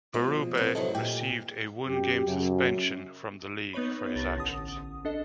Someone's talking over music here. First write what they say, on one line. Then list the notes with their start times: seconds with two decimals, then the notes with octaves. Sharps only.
Berube received a one-game suspension from the league for his actions.
0.14 B2 F3 G#3
0.55 B3 C4
0.75 E2 C3 F#3 A3 D#4
0.95 A#2 G4
1.87 F#2 G4
2.26 F#2 C#3
3.73 B3 D#4 B4 C#5 B5
4.16 C2 C#5 A6 A#6
4.36 A1 D3 D#6
5.05 D4 A4 D#5